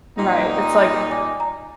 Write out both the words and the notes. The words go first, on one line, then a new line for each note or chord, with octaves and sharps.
Right, it's like
A#2 G3 D#4
D5 G#5 D6
A#5